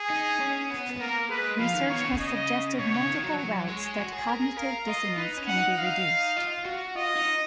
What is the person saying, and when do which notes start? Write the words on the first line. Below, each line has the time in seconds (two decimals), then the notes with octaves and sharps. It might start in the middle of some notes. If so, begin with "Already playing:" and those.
Research has suggested multiple routes that cognitive dissonance can be reduced.
Already playing: G#4
0.10 D#4
0.40 C#4
0.70 B3
0.91 B3
1.00 A#3 A#4
1.29 G#3 B4
1.59 F3 F5
1.74 D#3
1.89 B2 C#5
2.05 C#3
2.19 D#5
2.79 B2 C#5
2.94 C#3
3.08 D#3
3.23 F#3
3.38 F#3 C#5
3.68 G#3
3.98 F#4
4.12 G#4
4.28 A#4
4.42 G#4
4.57 A#4 F5
4.87 F4 D#5
5.17 D#4 B4
5.37 C#4
5.46 F#5
5.56 D#4
5.77 F5
6.37 F4
6.65 F#4
6.95 F4 D#5
7.15 D#4